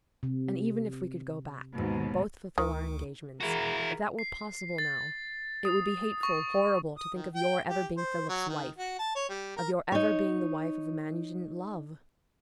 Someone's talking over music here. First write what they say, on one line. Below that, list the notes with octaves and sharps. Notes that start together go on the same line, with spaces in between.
And even if we could go back, and both fulfil our engagements,--if that were possible now,--it would be hateful, horrible, to think of your ever being Philip's wife,--of your ever being the wife of a man you didn't love.
C3
D#2 G#2 B2
D2 D#3
E4 F#4 G#4 A#4
C7
A6
D#6
C#6
D#6
D#3
G5
G4
C5
F#3
D#3
F#4
A5
C#5
G3
A#4
D#4 C#5